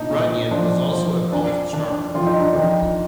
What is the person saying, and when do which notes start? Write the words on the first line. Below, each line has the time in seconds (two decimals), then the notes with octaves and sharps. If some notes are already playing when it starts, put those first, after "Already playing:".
Runyan was also a golf instructor.
Already playing: A#2 D4 D#4
0.11 A#2
0.51 F3 D4
0.92 F3
1.32 F2 D4
1.73 D#3 D4
1.90 D4
2.15 F2 F4
2.27 D#4
2.40 D4
2.53 F2 D#4